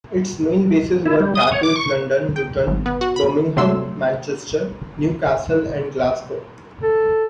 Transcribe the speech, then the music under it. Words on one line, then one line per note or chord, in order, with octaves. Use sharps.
Its main bases were Gatwick, London Luton, Birmingham, Manchester, Newcastle and Glasgow.
E4
G3
D#6
C#5
D6
C#6
G5
G#1
B3
F#4
B5
C3 F#3 A3 D4 C6 E6
A4